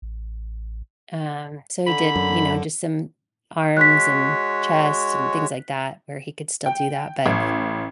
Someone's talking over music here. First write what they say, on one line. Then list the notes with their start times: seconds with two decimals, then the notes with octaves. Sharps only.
Um, so he did, you know, just some arms and chest and things like that where he could still do that, but
0.02 A1
1.87 D3 B5
2.16 F#2
3.77 G#3 F#4 C#5 F#6 B6
6.66 G5
7.26 A1